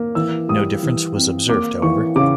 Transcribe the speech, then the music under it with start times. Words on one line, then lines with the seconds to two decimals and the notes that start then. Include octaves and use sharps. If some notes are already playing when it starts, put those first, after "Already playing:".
No difference was observed, however.
Already playing: A#3
0.15 E3 E6
0.49 G3 D#6
0.83 E3
1.15 C4
1.49 A#3 D6
1.82 E3 C#6
2.16 C#3 D6